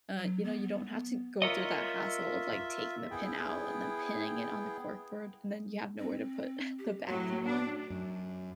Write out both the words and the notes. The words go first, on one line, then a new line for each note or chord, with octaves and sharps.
uh, you know, you don't have to go through that hassle of like taking the pin out and then pinning it on the cork board and then you have nowhere to put the backing on.
F#3
B3
F4 A#4 C#5 D#5 E5
B3 E4 G#4 G5
C4
G4
A2 F#3 F#4
D4
F#2